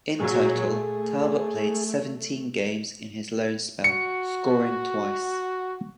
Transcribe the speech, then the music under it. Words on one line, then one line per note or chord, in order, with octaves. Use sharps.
In total, Talbot played seventeen games in his loan spell, scoring twice.
A#2 F#3 G#4
A3
F#4 C#7